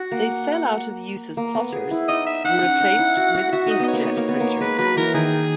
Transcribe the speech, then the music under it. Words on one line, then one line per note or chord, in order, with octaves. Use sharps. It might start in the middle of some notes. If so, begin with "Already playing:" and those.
They fell out of use as plotters were replaced with ink-jet printers.
Already playing: F#4 F#5
A#3
A#3
B3
G#4
E4
D#4 D#5
E5
D#4 F#5
C#4
D#4
E4
F#4
F#4
F#4 E5
D#4 D#5
B3 D#5
C#5
A#3
B3
A#3
B3
A#3
G#3 B4
F#3 B4
E3 A#4
D#3 G#4